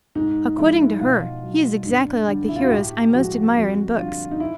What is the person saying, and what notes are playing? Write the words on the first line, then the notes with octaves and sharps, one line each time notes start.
According to her, he is exactly like the heroes I most admire in books.
G#2 D#4
F3 G#3 E4
B2 F4
F#3
G2
D3 G3
E4
F4
F#4
A2 G4
F3 G#3 F#4
F2 F#4
D3 G3 F4
D#4
E4